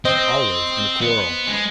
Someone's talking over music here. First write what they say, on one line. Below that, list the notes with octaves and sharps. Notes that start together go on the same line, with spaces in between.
Always in a quarrel.
C4 C5 D#5
B3
G#3